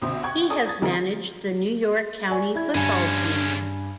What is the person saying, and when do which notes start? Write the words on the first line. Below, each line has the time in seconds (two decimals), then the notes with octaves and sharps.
He has managed the New York county football team.
0.02 C2 B2 D3 C5
0.23 F#5 G5 C#6 G#6
0.50 G#4 A4 D5 A5 D#6
0.66 G#6 A6
0.82 D3 E3 G#3 C4 A#4
2.30 D5 G#5 C#6
2.55 E4 G#6
2.75 G2 D3 C#4 G#5